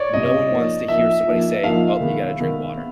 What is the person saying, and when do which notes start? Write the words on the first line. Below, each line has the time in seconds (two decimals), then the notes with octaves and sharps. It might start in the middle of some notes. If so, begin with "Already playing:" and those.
no one wants to hear somebody say, "Oh, you gotta drink water,"
Already playing: C#5 D5
0.13 C2 B2 G3 C4 E4 D#5
0.50 F3 A#3 D#4
0.88 F3 A#3 D#4 E5
1.26 F3 A#3 D#4
1.63 F3 A#3 D#4 F5
2.00 D#3 G#3 B3
2.39 D#3 G#3 B3
2.76 B3